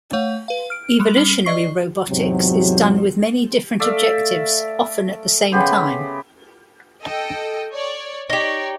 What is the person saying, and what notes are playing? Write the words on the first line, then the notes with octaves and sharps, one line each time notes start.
Evolutionary robotics is done with many different objectives, often at the same time.
A3 C#5 F5 F#5
B4 F5
F6 D7
G3 G#3
G3 C#4 C7
D5 D#5 C#6 C7
E2 G#2 C3 F#3
A3 D5 E5 F5
C#3 B3 G4 C5
A4 D#5 G5
C#5 D5
D#4 G4 C#5 D5